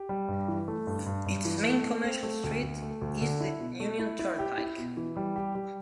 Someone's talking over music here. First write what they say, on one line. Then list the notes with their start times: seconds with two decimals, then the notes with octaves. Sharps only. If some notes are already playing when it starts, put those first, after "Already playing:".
Its main commercial street is the Union Turnpike.
Already playing: G4
0.09 G3
0.28 G2
0.48 E3
0.68 A3
0.87 G2
1.06 G2
1.26 G2
1.45 E3
1.65 A3
1.84 A3
2.04 C4
2.23 A3
2.44 D2
2.63 D2
2.82 A3
3.01 D2
3.21 D3
3.41 E4
3.60 B2
3.80 A3
3.99 E4
4.19 E4
4.39 G4
4.58 E4
4.78 B2
4.97 E3
5.17 G3
5.36 G4
5.55 G3